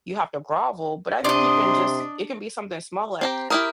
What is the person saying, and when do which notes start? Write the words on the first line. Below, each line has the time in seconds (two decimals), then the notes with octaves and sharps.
you have to grovel, but I think you can just it can be something small like,
1.25 C3 D4 D5 D#5 C6
3.21 C4 G4 A#5
3.50 E4 G4 A#4 A#5 D#6 F6